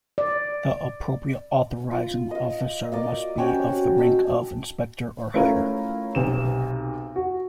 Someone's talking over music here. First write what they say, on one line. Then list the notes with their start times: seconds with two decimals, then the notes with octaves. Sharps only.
The appropriate authorising officer must be of the rank of Inspector or higher.
0.18 D5
1.91 F4
2.31 D#5 F5
2.92 A#4 D5 D#5 F5
3.38 C4 C#4 F#4 G4
3.98 D#5 A5 E6
5.34 A3 C#4 E4 F4 A#4 F5
6.15 B1 C3 E7
7.16 F#4